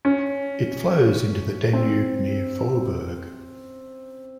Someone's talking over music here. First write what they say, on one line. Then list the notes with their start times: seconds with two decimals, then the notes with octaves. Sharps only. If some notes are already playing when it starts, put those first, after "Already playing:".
It flows into the Danube near Vohburg.
0.05 C#4
1.73 C4